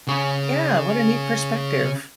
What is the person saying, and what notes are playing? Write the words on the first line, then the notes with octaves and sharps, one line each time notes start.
yeah, what a neat perspective.
C#3 C#4